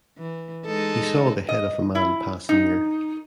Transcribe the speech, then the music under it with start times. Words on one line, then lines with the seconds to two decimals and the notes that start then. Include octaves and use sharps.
He saw the head of a man pass near.
0.18 E3
0.66 G#3 D#4 A4
1.49 D#5
1.95 E4
2.49 D#4